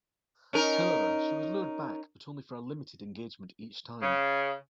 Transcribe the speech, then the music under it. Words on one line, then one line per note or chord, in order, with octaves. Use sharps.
However, she was lured back, but only for a limited engagement each time.
C#4 D#4 A#4
C#3